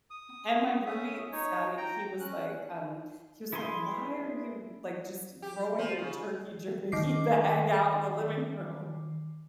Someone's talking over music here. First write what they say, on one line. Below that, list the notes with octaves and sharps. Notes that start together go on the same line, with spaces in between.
and my roommate, Scotty, he was like, um he was like, "Why are you, like, just throwing your turkey jerky bag out in the living room?"
D#6
C#4 E5 D#6
D#4 C#5
G5 A#5
C#4 F#6
E4 G#4 B4 G#5 C6
G4
F3
C#3
D#3 D6 C7